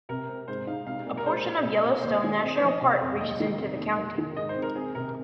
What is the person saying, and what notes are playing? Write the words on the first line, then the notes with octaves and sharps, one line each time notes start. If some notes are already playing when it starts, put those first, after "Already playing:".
A portion of Yellowstone National Park reaches into the county.
C3 A#4
C4
G#2 C5
D#4 F5
C2 F5
A#2
A#4
G#3 C5
A#1
C2
A#2
D#2 C5
D#3 G#4
C4 G#4
C5
F3
D#5
C3 F5
F2 F5
D#2 D#5
D#3
F1
D#2
A#3
D#3
G#2 D#5
C5
C4
A#4
C4 G#4
C3 A#4